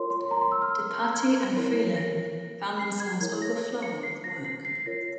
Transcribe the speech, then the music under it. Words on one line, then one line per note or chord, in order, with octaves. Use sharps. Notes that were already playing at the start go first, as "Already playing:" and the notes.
DePatie and Freleng found themselves overflowing with work.
Already playing: F4 A#4 C#5 C6
C6
A#5
C6
E6
F6
G#6
G#6
E4 A#4 C#5
A#6
C7
G#6
E4 A#4 C#5 G#6
A#6
C#7
C7
A#6
C7
C7
C7
F4 A#4 C#5 A#6